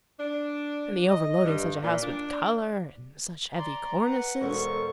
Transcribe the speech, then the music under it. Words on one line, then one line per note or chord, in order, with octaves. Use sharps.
And the overloading such a house with colour and such heavy cornices!'
D4
D#5
G2
A#2
D4
D5 A#5 C6
B4 F#5
E1 B2 B3 A4 C5 C#6